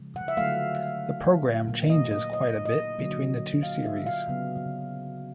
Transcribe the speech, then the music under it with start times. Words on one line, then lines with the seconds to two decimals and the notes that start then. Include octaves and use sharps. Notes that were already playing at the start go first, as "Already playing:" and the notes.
The program changes quite a bit between the two series.
Already playing: C#3 F3 G#3
0.16 F#5
0.28 E5
0.37 D3 F#3 A3 F5
1.68 A#2 F#3 A#3
1.90 D#5
2.12 D#5
2.33 D#5
2.66 D#5
2.99 D3 F#3 A#3
3.63 F5
3.85 E5
4.06 F5
4.28 C#3 F#3 B3